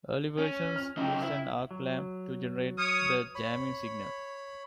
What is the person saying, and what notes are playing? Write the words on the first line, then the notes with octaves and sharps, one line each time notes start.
Early versions used an arc lamp to generate the jamming signal.
C#4
F6
C#3 F#3 D#4 G5
E4
F#3
C#5 D#6 F6
C#5 B5